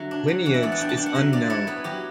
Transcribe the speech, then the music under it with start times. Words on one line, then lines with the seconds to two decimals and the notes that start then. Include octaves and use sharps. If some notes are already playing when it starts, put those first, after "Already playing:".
Lineage is unknown.
Already playing: D3 F#3 E5
0.11 D4
0.28 F#3
0.46 E3 F#5
0.54 E5
0.63 B3 D5
0.72 F#5
0.80 D4 G5
0.89 A5
0.97 D4 G5
1.06 F#5
1.15 F#3 E5
1.33 F#3 D5
1.50 E4 C#5
1.67 B3 B4
1.84 F#3 G4